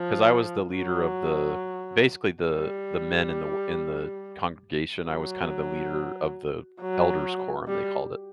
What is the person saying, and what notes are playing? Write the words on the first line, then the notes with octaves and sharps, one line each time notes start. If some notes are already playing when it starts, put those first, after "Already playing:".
'cause I was the leader of the basically the the men in the w in the congregation, I was kind of the leader of the "elders quorum," they called it.
Already playing: F3
F#3
G3
F#3
F#3
G3